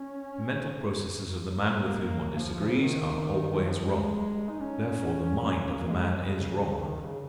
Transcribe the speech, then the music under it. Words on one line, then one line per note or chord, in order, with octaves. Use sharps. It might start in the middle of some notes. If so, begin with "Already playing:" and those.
The mental processes of the man with whom one disagrees, are always wrong. Therefore the mind of the man is wrong.
Already playing: C#4
A#3
F3
F3
C#3
D#3
D#3
F3
G#3
D#4
C#4
A#3
G#3
C#3
C#3
C#3
D#3
C#3